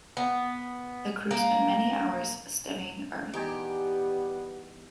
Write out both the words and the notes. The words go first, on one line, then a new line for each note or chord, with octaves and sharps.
The crew spent many hours studying Earth.
B3
A#3
E2 G3 B3 D#4 G4 G#5